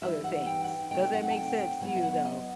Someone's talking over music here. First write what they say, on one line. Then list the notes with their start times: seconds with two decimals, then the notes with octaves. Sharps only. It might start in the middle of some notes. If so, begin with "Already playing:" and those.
other things. Does that make sense to you, though?
0.02 E3 G3 D#4 E5
0.24 F#5
0.46 G5
0.64 F#5
0.69 G5
0.91 C3 F#3 A3 C4 D#4 G5
1.13 F#5
1.30 A5
1.36 G5
1.58 G5
1.80 B2 F#3 B3 E4 F#5
1.96 E5
2.03 F#5
2.25 D#5